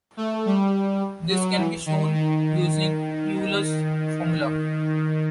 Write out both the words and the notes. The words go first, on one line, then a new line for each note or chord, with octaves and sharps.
This can be shown using Euler's formula.
A3
G3
F#3
E3
D#3
D#3